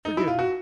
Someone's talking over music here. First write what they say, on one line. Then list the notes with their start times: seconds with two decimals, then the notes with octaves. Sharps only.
Forgive me! ...
0.05 D#4
0.17 E4
0.28 F4
0.39 F#4